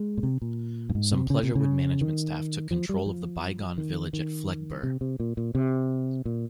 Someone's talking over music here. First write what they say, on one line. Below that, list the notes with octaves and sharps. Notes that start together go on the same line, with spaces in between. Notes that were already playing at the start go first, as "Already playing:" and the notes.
Some Pleasurewood management staff took control of The Bygone Village at Fleggburgh.
Already playing: G#3
A#2
C3
A#2
G2
G#2
C3
C#3
C3
C#3
D#3
F3
G3
F3
D#3
D#3
C3
C3
A#2
A#2
C3
A#2